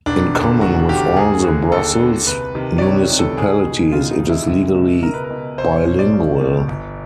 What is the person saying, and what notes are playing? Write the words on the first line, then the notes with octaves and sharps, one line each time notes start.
In common with all the Brussels municipalities, it is legally bilingual.
E1 D4
D#2 D3
E1 F#4
D#2 G4
D3
D#2 G#4
D3
D#2 A4
A4
D3
C2 B4
C3 D#3
D5
C2 C#5
C3 D#3
A4
C#2 G#4
B2
C#2 F4
D#4
B2
E4
C#2
B2
C#2 A#4
B4
A#4
B2
B1 C5
C#5
B2
D5
B1
B2
G1